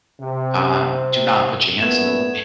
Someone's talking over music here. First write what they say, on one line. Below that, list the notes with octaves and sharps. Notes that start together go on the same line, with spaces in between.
Um, do not put your hands in the wa
C3
A#2 A3 B3 G#6 E7